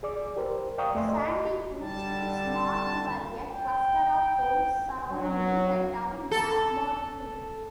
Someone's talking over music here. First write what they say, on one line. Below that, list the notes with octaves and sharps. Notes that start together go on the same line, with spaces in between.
Sandy Gulch is marked by a cluster of homes surrounding the town baseball field.
G#4 D5 D6
G4 A#4 C5
D5 F5 G5 A#5 C#6 D#6
F2 A3 D5 E5 G#5 C6
D#5
D3 G3 A5
G5
F#3
A4